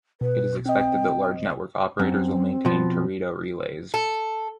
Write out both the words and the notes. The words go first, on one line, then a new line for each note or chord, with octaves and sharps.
It is expected that large network operators will maintain Teredo relays.
B2 B4
C4 D#5 G5
F#2 C4
B2 F3
A4